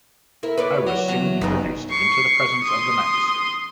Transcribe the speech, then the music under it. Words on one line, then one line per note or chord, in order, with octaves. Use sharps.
I was soon introduced into the presence of the magistrate.
E4 A#4
B4 C#5 D5
F#3
E2 F#3
F#1 C#3 B3 D#4
C#6 C7
C6 D#6